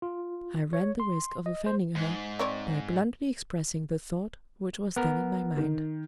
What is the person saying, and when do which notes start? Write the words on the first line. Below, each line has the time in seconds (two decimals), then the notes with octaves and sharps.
I ran the risk of offending her, by bluntly expressing the thought which was then in my mind.
0.02 F4
0.73 C#5
1.00 C6
1.46 D#5
1.66 C5
1.96 G#2
2.39 C4 C#5 D5
4.96 B3 A#4
5.57 D#3